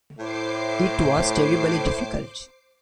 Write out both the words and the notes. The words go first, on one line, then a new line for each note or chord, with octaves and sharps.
It was terribly difficult.
A2 C5 D6 C7